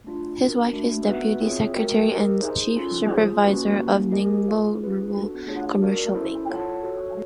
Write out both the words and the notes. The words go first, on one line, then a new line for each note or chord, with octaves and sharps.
His wife is deputy secretary and chief supervisor of Ningbo Rural Commercial Bank.
A3 D4 F4
D4 F#4 A#4
A3 D4 F#4
B3 D#4 F#4 B4 E5
C4 F4 G#4 C#5 E5
F#4 A#4 D#5 G5
G4 A#4 D#5
D#4 G#4 C5
C#4 F4 A4
F4 G#4 C5
A#3 C#4 F#4 B4
A#3 C#4 E4 G4
G4 A#4 D#5 G#5
F4 G#4 C5 F5
C#4 F4 G#4 B4
D4 F#4 A4
A3 D4 F4 G#4 C#5
F#4 A#4 D5 F5 A5
C#4 E4 A4 C5
F4 A4 C#5 F#5 A5
F#4 A4 C#5